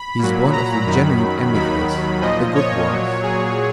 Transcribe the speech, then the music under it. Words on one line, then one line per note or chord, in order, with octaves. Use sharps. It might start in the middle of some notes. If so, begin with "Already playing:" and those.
He is one of the genuine emigres, the good ones.
Already playing: B5
A#2 F#3
A#5
F#2 D#3 F#3 B5
D#2 D#3 F#3 B5
A#2 F3 D#5
C#5
A#2 F#3
G#4